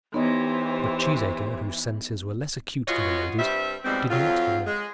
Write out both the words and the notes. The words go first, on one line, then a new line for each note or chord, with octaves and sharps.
But Cheesacre, whose senses were less acute than the lady's, did not hear.
E3 B3 D#4 G4 C5 C#5 D#5 C6
E3 F4 F#4 G#4 C#5 D#5
G2 G3 C4 E5
G#2 B2 F3 G3 G#3 C4
F2 F#3 F4
G#3